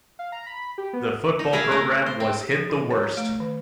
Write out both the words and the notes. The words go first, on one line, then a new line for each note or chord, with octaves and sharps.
The football program was hit the worst.
F5
A#5
B5
G4
B3
D#4
E4 G#4 A#4 E5 F5
A3 D#4 A#4
C5
C4
G4
F3
E4
C#5
A#5
A3
D#3